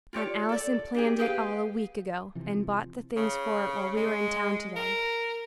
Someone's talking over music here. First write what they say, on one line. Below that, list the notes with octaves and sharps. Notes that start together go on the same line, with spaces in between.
Aunt Allison planned it all a week ago, and bought the things for it while we were in town to-day.
F4 G4 C#5 D5
A4 D5
D4 G4 G#4
G4 G#4 B4 F5
C3 E3 F3
C#3
G#3
A#4